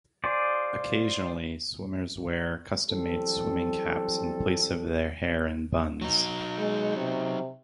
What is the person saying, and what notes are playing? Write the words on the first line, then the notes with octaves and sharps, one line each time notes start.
Occasionally, swimmers wear custom-made swimming caps in place of their hair in buns.
F4 G#4 C5 D5
E3 F#3 G3 C4 A4
F#3 D#4
G#3
C3